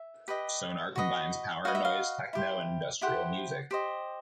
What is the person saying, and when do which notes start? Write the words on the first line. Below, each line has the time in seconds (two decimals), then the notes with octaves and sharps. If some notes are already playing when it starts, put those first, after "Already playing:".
Sonar combines power noise, techno, and industrial music.
Already playing: E5
0.28 G4 B4 D#5
0.96 F#4 B4 D#5
1.65 F#4 B4 D#5 F5
1.75 E5
1.85 F5
2.33 E4 G4 C5
3.01 E4 G4 C5 F#5
3.71 G4 C5 D#5